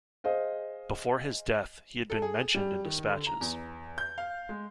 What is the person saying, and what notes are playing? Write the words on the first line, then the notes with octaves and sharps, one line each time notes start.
Before his death, he had been Mentioned in Despatches.
G#4 C5 D#5 F5
A4
G#4
G3
D#3
D3
A#5
E2
G6
F5
G#3